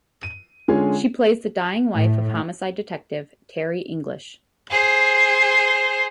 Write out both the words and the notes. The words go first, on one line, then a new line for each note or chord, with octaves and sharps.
She plays the dying wife of homicide detective, Terry English.
D#7
D3 G#3 C#4 F4 G#4
A2
G#4 C5